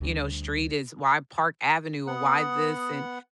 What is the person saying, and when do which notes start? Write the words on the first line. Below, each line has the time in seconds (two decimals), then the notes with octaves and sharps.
you know, street is why Park Avenue, or why this?" and,
0.01 D2 G3
2.07 B3 F#5 D#6